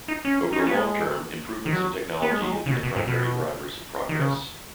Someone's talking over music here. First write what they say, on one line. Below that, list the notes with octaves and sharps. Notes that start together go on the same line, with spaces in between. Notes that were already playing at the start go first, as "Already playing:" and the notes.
Over the long term, improvements in technology have been the primary drivers of progress.
D#4
C#4
D#4
C#4
B3
G#3
D#3
F#3
B3
G#3
F#3
G#3
C#3
B2
B2
G#2
B2
D#3
C#3